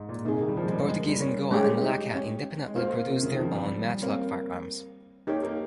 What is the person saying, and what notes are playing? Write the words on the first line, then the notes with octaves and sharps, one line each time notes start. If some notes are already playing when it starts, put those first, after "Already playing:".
The Portuguese in Goa and Malacca independently produced their own matchlock firearms.
Already playing: G#2
A#2
C3 A#3 D#4 G#4
D#3
G3
F3
G#3
G3
G#3
A#3
G3
C#4
G#3 C#4 G4 C#5
D#4
C#4
G#3
A#3 F4 C5 F5
A#3
C3
C#3
D#3
F3
G3
A#3 C4 G4 C#5 F5
A#3 D#4 G4 C#5
A#3